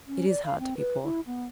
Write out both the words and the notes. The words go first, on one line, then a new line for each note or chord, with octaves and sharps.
It is hard to be poor.
C#4
D5
F5
C4
B4
E4
B3